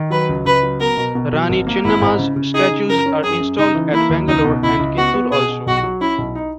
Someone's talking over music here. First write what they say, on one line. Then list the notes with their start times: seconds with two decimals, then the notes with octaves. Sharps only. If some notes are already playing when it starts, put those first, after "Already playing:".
Rani Chennamma's statues are installed at Bangalore and Kittur also.
Already playing: D#3
0.10 F#3 B4
0.29 C#2
0.45 C#2 B4
0.63 F#3
0.80 B3 A#4
0.97 B2
1.15 B2
1.33 F#3
1.49 G#1
1.67 A#3
1.84 G#1 E4
2.01 G#2
2.19 C#3
2.36 C#3
2.54 D#4 G#4
2.71 C#3
2.88 F#2 A#4
3.06 C#4
3.23 F#2 G#4
3.40 F#2
3.58 C#3 D#4
3.75 E3
3.92 A#3 E4
4.09 D#2
4.27 C#2 D#4
4.44 B2
4.62 C#2 E4
4.79 C#2
4.97 B3 F#4
5.14 B3
5.31 B2 G#4
5.49 B2
5.66 B1 F#4
5.83 F#3
6.00 C#4 E4
6.18 B1
6.35 D#4